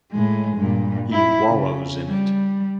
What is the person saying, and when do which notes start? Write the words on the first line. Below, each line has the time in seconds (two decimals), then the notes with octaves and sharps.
He wallows in it.
0.12 A2 G#3
0.57 G2 A#2
1.12 E4
1.48 C#3
2.09 G3